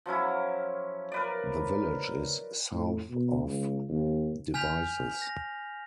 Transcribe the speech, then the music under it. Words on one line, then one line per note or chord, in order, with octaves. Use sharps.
The village is south of Devizes.
F3 F#3 C#4 E4
A#4 B4 D5
A2
B2
C#2
D#2
G#5 F6 G6 B6 F7
A#6